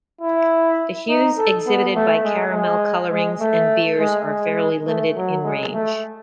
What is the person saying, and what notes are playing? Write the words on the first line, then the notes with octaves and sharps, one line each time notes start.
The hues exhibited by caramel colorings and beers are fairly limited in range.
E4
D#4
A4
B3
A3
G#3
G#3
G#3
A3
G#3
G#3
A3
F#3
G#3
A3